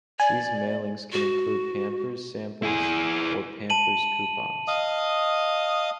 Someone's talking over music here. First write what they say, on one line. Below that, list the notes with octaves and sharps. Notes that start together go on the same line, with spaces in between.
These mailings can include Pampers samples or Pampers Coupons.
D5 G#5
F#4
E4 G#4
A5 D#7 F#7
D#5 F5 D#6